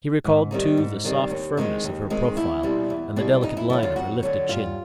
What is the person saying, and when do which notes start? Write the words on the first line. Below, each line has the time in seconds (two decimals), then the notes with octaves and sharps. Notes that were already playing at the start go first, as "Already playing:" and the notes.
He recalled too the soft firmness of her profile and the delicate line of her lifted chin.
0.24 G#2
0.51 D#3 G3 C4 D#4
0.77 G#2
1.04 D#3 G3 C4 D#4
1.31 D#2
1.57 D#3 G#3 C4 D#4
1.84 D#2
2.10 D#3 G#3 C4 D#4
2.37 E2 E4
2.63 B2 G3 C4
2.90 E2
3.16 B2 G3 C4
3.43 F2 D#4
3.57 E4
3.70 D3 F#3 E4
3.83 F4
3.96 F2 F#4
4.23 D3 F#3
4.49 G2 F4